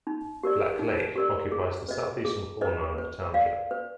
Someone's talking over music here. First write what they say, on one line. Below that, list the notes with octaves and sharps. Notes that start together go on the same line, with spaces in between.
Black Lake occupies the southeastern corner of the township.
D#4
G4 A#4 D5
D#4
G4 A#4 D5
G#4
B4 D#5
G#4
B4 D#5
B4
D5 F5
B4